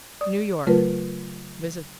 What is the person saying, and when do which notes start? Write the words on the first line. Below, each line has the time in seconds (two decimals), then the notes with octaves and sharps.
New York-Mrs.
0.21 D5 D#6
0.67 C#3 F#3 A3 F4 A#4 B4